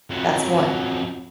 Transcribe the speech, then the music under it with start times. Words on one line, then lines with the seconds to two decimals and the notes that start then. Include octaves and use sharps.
that's one.
0.10 F2 F#3